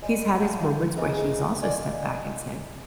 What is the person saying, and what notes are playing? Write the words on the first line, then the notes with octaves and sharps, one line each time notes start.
he's had his moments where he's also stepped back and said,
G3 G#3
F3 A3 F5 G5 A5
C#3 E3 G#3 C4 G#4 A#4
A4 D5 D#5 F5 G#5